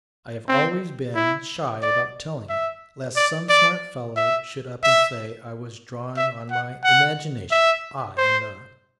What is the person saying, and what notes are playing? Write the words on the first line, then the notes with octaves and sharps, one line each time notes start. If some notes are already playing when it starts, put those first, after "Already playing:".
I have always been shy about telling it, lest some smart fellow should up and say I was drawing on my imagination: I am not.
C4
E4
D5
E5
D5
D5
E5
E5
E5
F#5
F#5
E5
C5